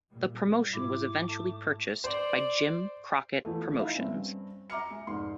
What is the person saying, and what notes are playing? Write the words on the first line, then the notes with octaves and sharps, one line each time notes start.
The promotion was eventually purchased by Jim Crockett Promotions.
F#2 A#2 G3
G#2 E4 D6
A3
C5 D5
E2 F3 A3
D#4 E4 E5 F5
G2 C4 C#4
E5 A#5 D6 F6 C#7
G#3
F1 G#2 C6